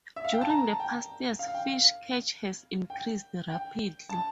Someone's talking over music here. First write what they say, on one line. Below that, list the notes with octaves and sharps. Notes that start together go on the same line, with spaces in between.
During the past years, fish catch has increased rapidly.
E5
F5
G5
A5
A#5
A5
G5
F5
G5
F5
G5
G5
A5